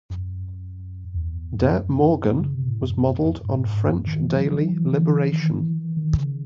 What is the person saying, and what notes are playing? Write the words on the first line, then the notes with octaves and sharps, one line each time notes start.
"De Morgen" was modelled on French daily "Liberation".
F#2
E2
F#2
C#3
C3
A2
F#2
F#2
G#2
A2
G#2
F#2
D#3
E3
F#3
F#3
E3
E3
D#3
E3
D#3
C#3